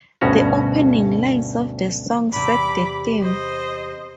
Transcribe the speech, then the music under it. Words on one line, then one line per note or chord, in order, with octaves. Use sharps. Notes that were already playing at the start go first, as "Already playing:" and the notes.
The opening lines of the song set the theme.
D2 G2 B2 C#4 F#4 A#5
E2 C3 B5 D6
C5 D#5